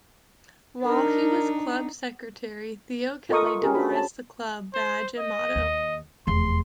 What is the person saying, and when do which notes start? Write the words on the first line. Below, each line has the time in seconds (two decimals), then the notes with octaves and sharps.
While he was club secretary Theo Kelly devised the club badge and motto.
0.84 D4 D#4 A#4
3.29 F4 A4 A#4 D#5 C#6 D#6
3.43 F4 D#5 E5 C#6
3.62 C#4 G4 G#4 A#4
3.74 D4 F#4 C5 B5
3.91 C#5 A5
4.74 C5
5.18 D#5
5.55 D#2
6.27 F1 E2 C6